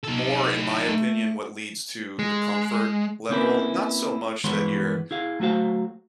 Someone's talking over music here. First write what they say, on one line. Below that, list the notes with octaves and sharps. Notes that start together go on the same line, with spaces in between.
more in my opinion what leads to the comfort level. Not so much that you're
D#4 A4
A3
G#3
A#3 C4 C#4 E4 A#4 B4
G2 E3 G#3 B3 C#5 C6
E4 G#4 F5
F#3 A3 F#4 C5 F5